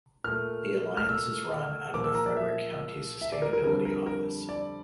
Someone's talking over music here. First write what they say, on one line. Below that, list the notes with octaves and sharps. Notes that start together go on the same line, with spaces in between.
The alliance is run out of the Frederick County Sustainability Office.
A#2 A3 F6
F6
E6
A#2 F3 A#3 D6
E6
A#5
D5
E5
E5
D5
A#4
A#4
F2 D3 G3 A#4
A#4
A#4
D5